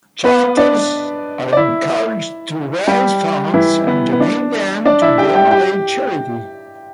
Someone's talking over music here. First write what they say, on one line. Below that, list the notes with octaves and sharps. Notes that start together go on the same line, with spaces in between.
Chapters are encouraged to raise funds and donate them to a DeMolay charity.
B3 B4
D4 D5
D5
E4 E5
G3 G4
E3 E4
B3
B3
D4
D4 D5
E4 E5
G4 G5
G4 G5
G4 G5